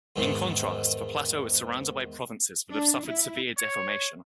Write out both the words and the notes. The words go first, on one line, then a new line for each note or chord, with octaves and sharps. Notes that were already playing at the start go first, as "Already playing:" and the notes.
In contrast, the plateau is surrounded by provinces that have suffered severe deformation.
E2 G#2 D#3
D4
E4
C#5